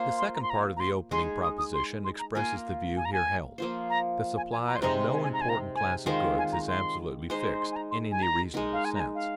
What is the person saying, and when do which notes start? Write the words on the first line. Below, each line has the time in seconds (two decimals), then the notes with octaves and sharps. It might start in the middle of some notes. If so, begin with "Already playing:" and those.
The second part of the opening proposition expresses the view here held: the supply of no important class of goods is absolutely fixed, in any reasonable sense.
Already playing: A#3 F4 C5
0.18 C6
0.35 A#5
0.42 C6
0.50 A#5
0.77 A#5
0.80 C6
1.11 G#3 D#4 G#4 C6
1.43 D#6
1.58 D#6
1.74 C6
2.04 C6
2.19 A#5
2.35 A#3 F4 A#4 G#5
2.97 G#5
3.05 A#5
3.13 G#5
3.58 F3 A#3 F4 C5
3.90 A#5
4.37 G#5
4.51 G#5
4.67 A#5
4.75 C6
4.82 C3 G#3 D#4 C5 A#5
5.13 G#5
5.23 G#5
5.33 A#5
5.41 G#5
5.49 A#5
5.75 G#5
6.06 D#3 G#3 F4 C5
6.38 G#5
6.53 A#5
6.68 C6
7.30 G#3 D#4 C5
7.60 C6
7.72 G#5
7.76 A#5
7.91 C6
8.11 G#5
8.22 A#5
8.54 G#3 D#4 A#4
8.73 F5
8.85 G#5
8.95 A#5
9.00 G#5
9.15 F5